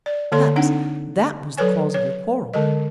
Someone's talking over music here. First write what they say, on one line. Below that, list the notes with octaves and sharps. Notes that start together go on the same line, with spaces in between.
Perhaps that was the cause of their quarrel.
D5
D3 A#3 A4 C#5 C6
C4 D4 D#4 F#5
F#3 A4 B4 C#5 G#5
C#5
D3 G#3 A#4 D#5